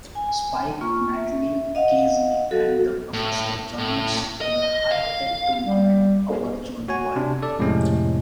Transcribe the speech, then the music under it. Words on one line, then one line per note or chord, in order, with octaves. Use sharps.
Spike, Natalie, Casi and the Professor joins the High-tech Tournament, a virtual world.
G#5
A#3 F4 C#6
E5
D#5 F5 F#5
F#3 F#4 A4
A2
A2
D#5
F5
G3
F#4 C#5 G#5
C3 D4
A4 D5
F2 A2 C3 G#3 C#4